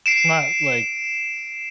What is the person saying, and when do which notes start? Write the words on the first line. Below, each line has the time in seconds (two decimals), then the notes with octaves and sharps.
not, like
0.06 C7 D7 E7